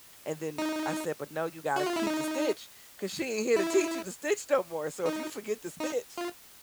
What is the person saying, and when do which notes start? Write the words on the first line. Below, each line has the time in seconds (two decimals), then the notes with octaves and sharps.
and, then, I said, "But, no, you gotta keep the stitch 'cause she ain't here to teach you to stitch no more. So if you forget to stitch,
0.58 D#4
1.76 F#4
1.86 F4
1.96 E4
2.07 D#4
3.56 E4
5.06 D#4
5.80 D#4
6.18 F4